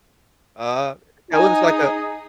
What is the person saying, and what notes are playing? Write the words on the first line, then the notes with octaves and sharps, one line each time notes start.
Uh, Katt Williams like a
D#4 D#5 G#5
G#4